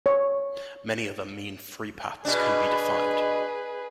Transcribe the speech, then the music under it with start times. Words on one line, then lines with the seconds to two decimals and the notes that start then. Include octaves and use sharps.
Many other mean free paths can be defined.
0.06 C#5
2.25 B2 D4 G#4 B4